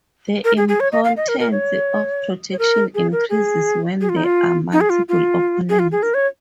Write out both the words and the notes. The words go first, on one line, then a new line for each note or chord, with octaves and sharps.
The importance of protection increases when there are multiple opponents.
A#4
G#4
G#4
C#5
D#5
F5
D#5
A#4
A#4
C#5
C#5
A#4
G#4
A#4
G#4
G#4
F4
D#4
F4
D#4
G#4
F4
F4
G#4
F4
G#4
A#4
C#5